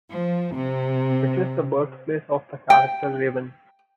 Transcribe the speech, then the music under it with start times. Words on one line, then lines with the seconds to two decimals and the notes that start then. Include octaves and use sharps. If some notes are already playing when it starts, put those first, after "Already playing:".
It is the birthplace of the character Raven.
0.12 F3
0.54 C3
2.70 G5